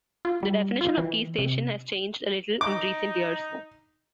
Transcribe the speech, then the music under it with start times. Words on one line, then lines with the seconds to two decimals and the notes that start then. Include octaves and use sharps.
The definition of key station has changed a little in recent years.
0.25 F4
0.43 G3
0.81 F4
0.98 E3
1.38 C3
2.61 D#4 D6